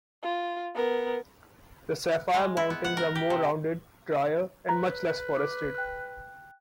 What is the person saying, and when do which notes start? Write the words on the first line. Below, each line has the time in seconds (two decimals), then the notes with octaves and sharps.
The Sapphire Mountains are more rounded, drier, and much less forested.
0.22 F4
0.74 B3 A#4
2.34 G#3
2.57 E4
2.70 B3
2.84 F#5
2.97 A#4
3.15 G4
3.30 C3
4.69 B4 A#5
5.36 D6
5.75 G5 F#6